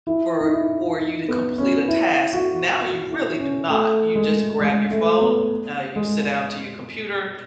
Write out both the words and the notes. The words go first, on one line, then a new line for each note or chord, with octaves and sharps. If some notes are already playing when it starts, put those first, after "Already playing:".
for for you to complete a task, now you really do not. You just grab your phone, uh, you sit down to your computer,
E4
D#4
E4
D#4
B3
C#4
E4
F#4
F#4
E4
C#4
A3
G#3
G#3
A3
B3
G#3